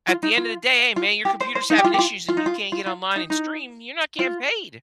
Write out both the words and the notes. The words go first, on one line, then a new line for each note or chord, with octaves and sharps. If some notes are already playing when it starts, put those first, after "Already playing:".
At the end of the day, "Hey man, your computer's having issues, and you can't get online and stream, you're not getting paid."
F4
D#4
F4
F4
G4
C5
C5
D#4
G4
F4
G4
F4
F4
D#4
F4
F4
F4
D#4
D#4
F4